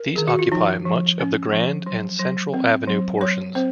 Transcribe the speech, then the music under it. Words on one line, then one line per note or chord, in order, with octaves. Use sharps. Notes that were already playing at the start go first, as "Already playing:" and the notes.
These occupy much of the Grand and Central avenue portions.
Already playing: A#4
D#3 G#4
F#4
F4
F3 D#4
F3
C#4
F3
F#3
F#3
C4
F#3
F#3 C#5
C4 C5